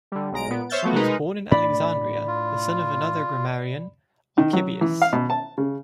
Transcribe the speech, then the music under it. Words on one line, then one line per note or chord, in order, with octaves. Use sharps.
He was born in Alexandria, the son of another grammarian, "Archibius".
D3 G3
B1 G#3 A#5 D7
A#2 B3
C5 C#5 E5 F6 G6 A6
F3 F#3 A3 B3 F#4
G#3 D#4 A#4 B4
A2 D4 D5 B5
F4
D#3
F#3
E3
F5
B2
A5
C#3